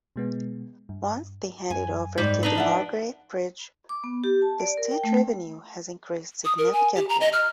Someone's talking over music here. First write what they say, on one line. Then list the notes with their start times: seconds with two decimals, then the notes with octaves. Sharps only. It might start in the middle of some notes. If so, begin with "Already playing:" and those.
Once they handed over to the Margaret Bridge, the state revenue has increased significantly.
0.16 B2 G#3 B3
0.89 G2
1.70 F#2 G#5
2.18 G#2 G3
2.43 D4 D#4 B4
2.55 F3 E5 F#5
3.89 D6
4.04 B3
4.24 G4
4.42 A5
4.60 D5
4.77 A#4
4.91 G5
5.04 A3
6.45 D#6
6.58 A#4
6.73 G#5
6.95 G4
7.09 A#5
7.21 D#5
7.33 F6